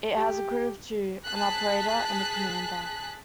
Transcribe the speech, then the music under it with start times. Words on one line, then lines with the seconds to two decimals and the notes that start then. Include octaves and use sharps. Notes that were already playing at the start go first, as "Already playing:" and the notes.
It has a crew of two, an operator and a commander.
0.16 G4
1.25 G#4 A5 F#6 B6